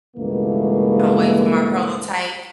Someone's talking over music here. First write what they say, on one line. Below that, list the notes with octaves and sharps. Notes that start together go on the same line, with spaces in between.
I'm waiting for my prototype.
C#2 G2 B2 E3 A3 A#3